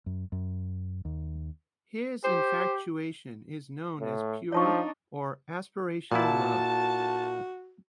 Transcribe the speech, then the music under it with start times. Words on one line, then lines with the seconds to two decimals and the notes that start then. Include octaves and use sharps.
His infatuation is known as pure, or aspirational love.
0.06 F#2
0.32 F#2
1.05 D#2
2.24 G4 C5
4.00 A2
4.52 F3 D4 D#4 C#5 A5 C#6
6.12 A#2 E4 F#4 A5